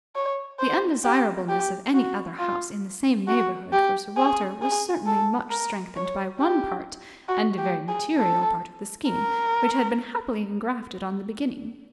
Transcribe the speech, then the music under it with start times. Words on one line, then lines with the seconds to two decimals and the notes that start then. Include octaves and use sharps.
The undesirableness of any other house in the same neighbourhood for Sir Walter was certainly much strengthened by one part, and a very material part of the scheme, which had been happily engrafted on the beginning.
0.15 C#5
0.60 C5
1.04 G4
1.49 G4
1.94 F#4
2.39 F4
3.28 F#4
3.73 G4
4.17 G#4
4.62 G#4
5.06 A4
5.50 A#4
5.96 C#5
6.40 G4
7.29 F#4
7.58 G4
7.88 G#4
8.18 A4
9.08 A#4